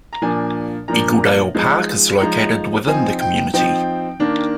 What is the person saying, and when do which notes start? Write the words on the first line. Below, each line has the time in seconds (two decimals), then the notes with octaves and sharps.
Eagledale Park is located within the community.
0.13 A#5
0.22 A#2 F3 A#3 D4 G#5
0.88 A#2 F3 A#3 D4 A#5
1.55 F3 G#3 D#4
2.20 F3 G#3 D#4 A#5
2.87 F3 C4 D#4 G#5
3.20 G5
3.53 F3 C4 D#4 G5
4.19 D#3 A#3 D4